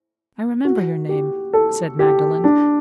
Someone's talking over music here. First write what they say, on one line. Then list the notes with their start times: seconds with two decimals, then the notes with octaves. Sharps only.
"I remember your name," said Magdalen.
0.65 F#4
1.09 G4
1.53 A4
1.99 G4
2.44 D4